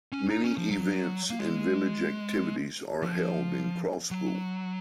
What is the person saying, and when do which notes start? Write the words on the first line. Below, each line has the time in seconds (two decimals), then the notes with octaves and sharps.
Many events and village activities are held in Crosspool.
0.12 C#4
0.30 D#4
0.44 C#4
0.57 F3
0.71 F#3
1.30 A#3
1.39 G#3
3.02 F3
4.11 F#3